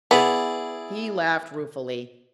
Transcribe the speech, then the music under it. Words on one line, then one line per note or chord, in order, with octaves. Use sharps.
He laughed ruefully.
B3 E4 G#4 D5